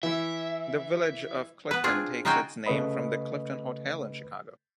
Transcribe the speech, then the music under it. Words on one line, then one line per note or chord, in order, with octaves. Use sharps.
The village of Clifton takes its name from the Clifton Hotel in Chicago.
E3 E4 E5
B3 B4
C4 D4 F4 G#4
C#3 D#4 F4 F#4 G5 G#5
C#3 A3 B4 D#5 B5